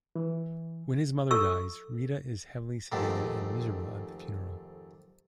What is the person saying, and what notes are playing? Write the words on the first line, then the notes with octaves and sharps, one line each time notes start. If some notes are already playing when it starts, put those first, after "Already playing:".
When her mother dies, Rita is heavily sedated and miserable at the funeral.
E3
A4 C#6 E6
F2 G#2 C3 D#3 A3